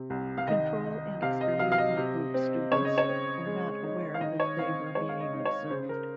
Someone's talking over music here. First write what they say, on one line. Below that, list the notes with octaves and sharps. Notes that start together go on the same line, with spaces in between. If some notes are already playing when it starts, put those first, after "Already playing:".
The control and experimental group students were not aware that they were being observed.
Already playing: C3
C2
F5
D#3 D#5
D#4
C3 F5
D#5
F#3 F5
F5
D#5
C3
C4
C#3 C#5
D#5
C#5
C4
G#3
D#4
F5
D#3 D#5
C#5
C4 F5
G#3 C#5
F5
D#5
D#4
C#5
C#3 C5
A#4